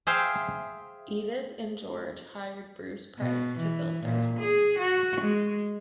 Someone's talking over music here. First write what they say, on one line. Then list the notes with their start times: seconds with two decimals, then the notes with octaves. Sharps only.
Edith and George hired Bruce Price, to build their home.
0.07 G#4 C5 E5 F5 G5
3.19 B2
3.59 E3
4.04 A#2
4.39 G#4
4.79 F#4
5.21 G#3